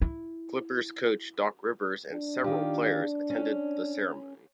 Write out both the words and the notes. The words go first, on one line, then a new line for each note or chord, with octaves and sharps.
Clippers coach Doc Rivers and several players attended the ceremony.
E4
D4
D#3 F4 G4
C#4